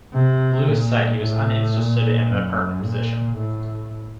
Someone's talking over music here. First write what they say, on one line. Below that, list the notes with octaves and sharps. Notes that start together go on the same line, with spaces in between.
Lewis said he was uninterested in the permanent position.
C3
A#2
A2
A#2
F#2
A#2
A2